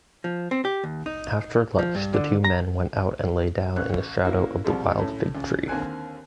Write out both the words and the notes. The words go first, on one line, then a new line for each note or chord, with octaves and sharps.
After lunch the two men went out and lay down in the shadow of the wild fig tree.
F3
C4
G4
D#2
D#4
F3
G2
D3
A#5
A1 F#6
A#3 C#4 E4 F#4
C2 F3 G3 G#3
F#2 A2
C#2
D#2 D3 A#3 C4 G#5 F#6